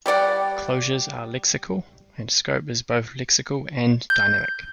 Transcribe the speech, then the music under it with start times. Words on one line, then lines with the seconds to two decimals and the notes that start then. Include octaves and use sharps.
Closures are lexical, and scope is both lexical and dynamic.
0.06 G3 G4 D5 F#5
4.10 G6